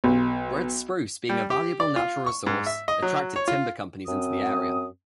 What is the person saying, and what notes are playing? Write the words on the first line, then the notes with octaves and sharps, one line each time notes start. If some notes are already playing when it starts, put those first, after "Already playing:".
Red spruce, being a valuable natural resource, attracted timber companies into the area.
B1
G3
G4
D5
F4
C#6
G#2
E5
D#5
F#3
C#5
F4
F#2 C4 D#6